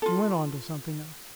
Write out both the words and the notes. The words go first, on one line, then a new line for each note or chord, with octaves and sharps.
He went on to something else.
F4 A4